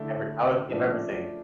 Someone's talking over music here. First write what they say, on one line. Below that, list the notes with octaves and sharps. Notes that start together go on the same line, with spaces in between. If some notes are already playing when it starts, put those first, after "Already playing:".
every I would give everything.
Already playing: D3 A3 E4
C#3 F3 A3 D4